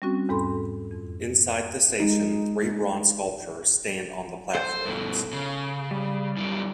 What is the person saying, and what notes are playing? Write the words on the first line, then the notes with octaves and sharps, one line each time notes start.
Inside the station, three bronze sculptures stand on the platforms.
G3 C4 C#4 F#4
E2 G#2 A4 B5 C6
F2
G#3 D#4
A4 C5 G6
G2 B2
C#3
G3
F#2 D#3